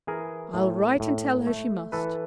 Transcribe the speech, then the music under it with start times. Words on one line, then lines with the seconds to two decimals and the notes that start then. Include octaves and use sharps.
I'll write and tell her she must.
0.07 E3 G#4 A#4
0.54 A2
1.00 A2
1.47 A3
1.92 E3 A4 B4